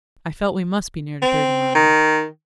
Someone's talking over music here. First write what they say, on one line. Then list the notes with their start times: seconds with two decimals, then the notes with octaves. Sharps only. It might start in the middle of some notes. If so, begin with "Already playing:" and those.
I felt we must be near to Thirty Mile.
1.22 C4
1.75 D#3